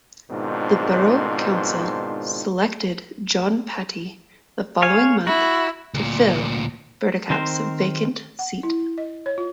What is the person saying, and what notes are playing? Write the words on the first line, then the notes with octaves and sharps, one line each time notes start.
The Borough Council selected John Patti the following month to fill Bertekap's vacant seat.
G#2 B2 D#3 C4 D4 F4
C#5 F5 G#5
E4 F#4
D2 A#2
D#3 C4 A#4 C5
F#5
E4
D#5
C#5
F4